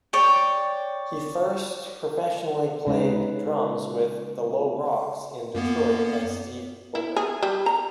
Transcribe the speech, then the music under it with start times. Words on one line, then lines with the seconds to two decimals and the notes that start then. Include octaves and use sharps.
He first professionally played drums with "The Low Rocks" in Detroit as Steve Booker.
0.13 C#5 D5 G5
2.87 C#3 G#3 D#4 B4
5.55 F#2 A#3 B3
6.95 E4
7.16 G#4
7.42 G3
7.66 A#5